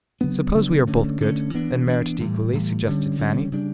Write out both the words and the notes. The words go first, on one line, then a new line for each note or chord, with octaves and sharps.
"Suppose we are both good, and merit it equally?" suggested Fanny.
C#3 F#3 B3 D4
C#3 F#3 B3 D4
D3 A3 C#4
D3 A3 C#4
E3 B3 D4
E3 B3 D4
A2 E3 G3
A2 E3 G3
D3 G3 C#4
D3 G3 C#4
C#3 G3 D4